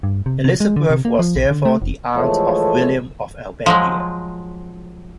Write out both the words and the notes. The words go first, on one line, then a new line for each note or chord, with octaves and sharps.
Elisabeth was therefore the aunt of William of Albania.
G2
C3
C3
G#3
D3
C3
A#3
F3
A#1
D3
A3
F1
E3 F3 G#3 A3 A4 C#5
F3 F#3 G#3